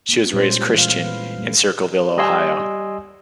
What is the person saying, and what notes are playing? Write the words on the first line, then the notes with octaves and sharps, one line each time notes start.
She was raised Christian in Circleville, Ohio.
A#3 B3
A#2 G3 G#3 C#4 F4 C5
E3 F5
B4 F5
G3 A3
G3 D#5 G#5 C6 E6